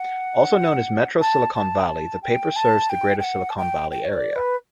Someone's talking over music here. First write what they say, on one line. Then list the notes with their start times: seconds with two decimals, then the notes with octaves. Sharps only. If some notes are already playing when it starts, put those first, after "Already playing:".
Also known as Metro Silicon Valley, the paper serves the greater Silicon Valley area.
Already playing: F#5
1.21 A5
1.55 A5
1.79 G5
1.88 A5
2.22 G5
2.56 A5
2.90 G5
3.19 G5
3.24 F#5
3.50 A5
3.57 G5
3.91 G5
4.05 C#5
4.13 D5
4.35 B4